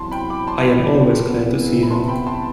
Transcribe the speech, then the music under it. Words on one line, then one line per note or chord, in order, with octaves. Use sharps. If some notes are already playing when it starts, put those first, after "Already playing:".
I am always glad to see him.
Already playing: E2 C3 F#3 C4 E4 A5 C6
G5 B5
B5 D6
A5 C6
C3 E3 B3 E4
B5
A5 C6
G5 B5
A5 C6